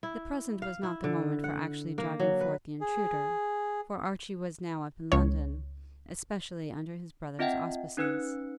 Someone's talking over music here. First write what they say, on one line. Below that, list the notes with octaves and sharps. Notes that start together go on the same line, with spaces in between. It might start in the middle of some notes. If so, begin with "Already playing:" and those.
The present was not the moment for actually driving forth the intruder, for Archie was now up in London, especially under his brother's auspices.
E4
F5
E4
D3
F#5
A#3
F#3
B4
G#4
C#2 C#5
C4 F4 D#5 E5 F#5 G5
C#4 D#4 B4 E6 F#6 C#7